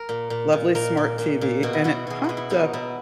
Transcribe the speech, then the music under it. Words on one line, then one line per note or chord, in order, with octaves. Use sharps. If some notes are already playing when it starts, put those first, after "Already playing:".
lovely smart TV and it popped up
Already playing: A#4
A#2
A#2
A#2
A#2 A#4
A#2
A#2
A#2
B2 F#4
E4
B2 F#4
B2 G#4
B2 F#4
E4
B2 D#4
B2 E4